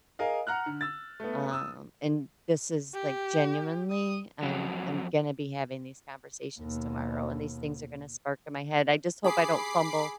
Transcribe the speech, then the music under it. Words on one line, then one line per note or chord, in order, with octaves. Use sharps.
um, and this is, like genuinely, I'm I'm gonna be having these conversations tomorrow, and these things are gonna spark in my head, I just hope I don't fumble,
G#4 A#4 D#5 F5
F#5 A#5 F6 F#6
D3
E6 A6
A3 B3
D#6 E6
G4
D#6
F2 F#3
D#2 B2
G#4 B5 D6 C7